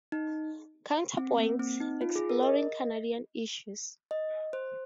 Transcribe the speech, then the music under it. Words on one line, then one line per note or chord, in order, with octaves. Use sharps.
Counter Points: Exploring Canadian Issues.
D#4
C4
A#3
C4
D#4
F4
G#4
A#4
D#5
D#5
C5